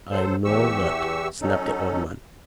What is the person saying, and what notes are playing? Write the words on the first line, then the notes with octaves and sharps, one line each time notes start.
"I know that," snapped the old man.
F#3 A4 C5
E2 E3 G4 C#6 E6
F#3 C#4 D#4 A4